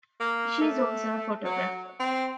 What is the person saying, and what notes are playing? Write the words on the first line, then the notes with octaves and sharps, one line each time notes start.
She is also a photographer.
A#3
A3
F#3
C4